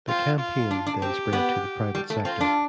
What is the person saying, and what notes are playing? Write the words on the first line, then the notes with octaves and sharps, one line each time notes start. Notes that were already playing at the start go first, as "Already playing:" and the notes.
The campaign then spread to the private sector.
C4 F4
F4
D4
D4
C4 G4
B3
G3
A3
C4 F4
D4